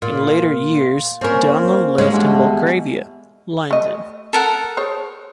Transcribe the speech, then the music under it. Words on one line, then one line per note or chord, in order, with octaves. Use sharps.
In later years, Donlan lived in Belgravia, London.
A#2 F4
A#2 C4 C#4 A#4
G2 G#3 C#4
B2 E3 A4
A3 D#5
A4 A#4 F#5
G#4 C5 C#5